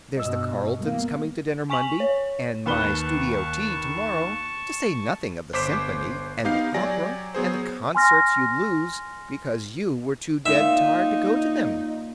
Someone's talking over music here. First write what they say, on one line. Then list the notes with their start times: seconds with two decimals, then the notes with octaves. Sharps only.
There's the Carletons coming to dinner Monday, and my studio Tea to-morrow, to say nothing of the Symphony and the opera, and the concerts you'd lose because you were too dead tired to go to them.
0.17 G2 B2 D#5 E6
0.81 G3 A#3 B3
1.70 G#5 C#6 B6 F7 F#7
2.00 C#5
2.66 D#2 B4 A5 C#6 G7
5.53 G1 C5 D6 B6 E7
6.44 B3 D#4 G4 F5 G6 C7
6.74 F#3 G4 D5 G#5 A#6
7.35 F#3 B3 G#4 C5
7.95 G#5 C6 F6 A#6
10.46 A#2 D#4 E5